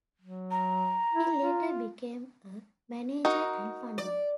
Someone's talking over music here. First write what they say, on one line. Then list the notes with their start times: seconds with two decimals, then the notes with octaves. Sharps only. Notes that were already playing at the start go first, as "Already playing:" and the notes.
He later became a manager and pundit.
0.22 F#3
0.51 A#5
1.13 E4
1.38 F4
3.25 D#4 F#4 A#4
3.98 D5